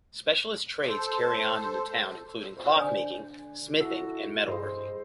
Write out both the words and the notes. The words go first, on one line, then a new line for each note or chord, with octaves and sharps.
Specialist trades carried on in the town included cloth-making, smithying, and metalworking.
A4 C5
C5
D3 D5 G#5
E4 F#4 A4 E6
G2 G#4 C5 D#5 C6